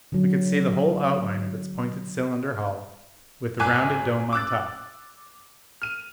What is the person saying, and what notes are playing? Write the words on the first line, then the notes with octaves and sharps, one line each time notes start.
We could see the whole outline of its pointed cylinder hull, with the rounded dome on top.
D3 F#3
G#1 G#5 D6 F#6
D6 E6 F#6 A6
F6 D#7